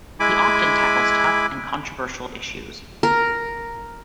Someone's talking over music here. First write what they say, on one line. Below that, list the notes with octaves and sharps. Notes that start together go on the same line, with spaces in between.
He often tackles tough and controversial issues.
G#3 E4 G#5 B5 D6
A#4